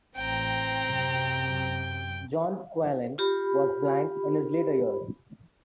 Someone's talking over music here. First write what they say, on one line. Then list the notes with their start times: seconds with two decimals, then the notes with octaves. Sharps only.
John Qualen was blind in his later years.
0.16 A1 C4 G5 A#5
0.83 F#2 C3
3.18 F4 G4 B5